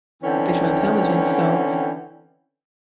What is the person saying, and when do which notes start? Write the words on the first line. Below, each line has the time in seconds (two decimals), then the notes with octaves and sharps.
artificial intelligence, so,
0.23 D3 E3 C4 C#4 G5